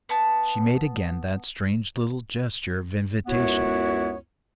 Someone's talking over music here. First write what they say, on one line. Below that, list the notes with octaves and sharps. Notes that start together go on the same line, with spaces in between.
She made again that strange little gesture of invitation.
B3 A5
C#2 F#2 B3 E4 F#4 C#5